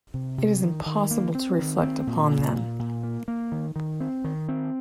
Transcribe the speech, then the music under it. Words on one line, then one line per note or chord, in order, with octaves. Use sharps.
It is impossible to reflect upon them.
C3
C3
D#3
D#3
A#3
C4
D#3
C4
A#2
A#2
A#2
A#2
A#3
A#3
D#3
D#3
C4
D#3
C4